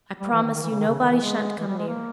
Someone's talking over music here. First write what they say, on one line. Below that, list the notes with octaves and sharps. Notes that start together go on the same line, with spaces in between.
I promise you nobody shan't come near.
G3
E3
D#3
D#3
E3
C#3
D#3
C#3
D#3
E3
G#3
E3
G3
G#3
A#3